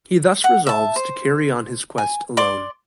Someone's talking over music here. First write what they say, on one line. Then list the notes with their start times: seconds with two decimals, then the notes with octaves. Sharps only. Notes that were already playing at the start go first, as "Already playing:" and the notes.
He thus resolves to carry on his quest alone.
0.44 F#5
0.67 E5 A5
0.96 C5
1.98 G#5
2.37 D5 C6 D6